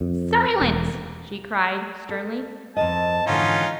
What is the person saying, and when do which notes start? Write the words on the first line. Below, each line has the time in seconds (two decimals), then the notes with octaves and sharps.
"Silence!" she cried, sternly.
0.01 F2
0.61 E1
2.09 A4
2.77 F2 A#4 D#5 A5
3.27 G#2 D3 E3 C#4 D#4 F4